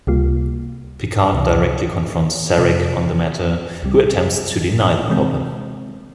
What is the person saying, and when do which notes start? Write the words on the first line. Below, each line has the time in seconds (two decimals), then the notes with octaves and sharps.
Picard directly confronts Sarek on the matter, who attempts to deny the problem.
0.07 C#2 C3 G3 A#3 F4
1.33 C#2 C3 E3
2.57 F2 C3 F3
3.83 C2 C3 G3
5.08 C3 E3 G#3 C4